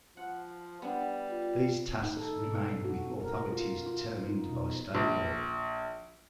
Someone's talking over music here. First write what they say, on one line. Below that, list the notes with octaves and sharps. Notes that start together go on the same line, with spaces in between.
These tasks remain with authorities determined by State law.
F3 F#5
G3 B3 D4 G4
F4
D#4
A4
B2
F#4
A#4
F4
F4
D#4
B2
A#1